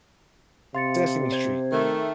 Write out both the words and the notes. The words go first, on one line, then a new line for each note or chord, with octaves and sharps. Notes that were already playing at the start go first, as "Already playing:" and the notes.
Sesame Street.
C3 F5 C6 A6 C#7
C5 G#6
D#3 A3 A#4